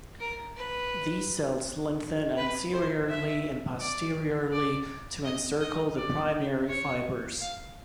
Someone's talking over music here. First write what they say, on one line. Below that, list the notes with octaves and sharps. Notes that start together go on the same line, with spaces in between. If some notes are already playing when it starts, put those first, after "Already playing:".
These cells lengthen anteriorly and posteriorly to encircle the primary fibers.
A#4
B4
B4
C5
E5
D5
D5
D#5
D#5
D5
C#5
F5